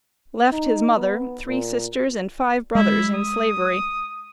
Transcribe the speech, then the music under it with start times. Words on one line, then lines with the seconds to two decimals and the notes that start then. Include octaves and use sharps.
Left his mother, three sisters and five brothers in slavery.
0.52 D#4
0.96 B3
1.46 A#2
2.75 G#3 E4
3.14 D#6